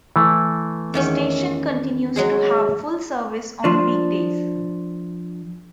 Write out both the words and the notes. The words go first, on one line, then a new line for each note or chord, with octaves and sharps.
The station continues to have full service on weekdays.
E3 A3
E2 D#3 C#4
F#3 G#3 G#4
F3 D4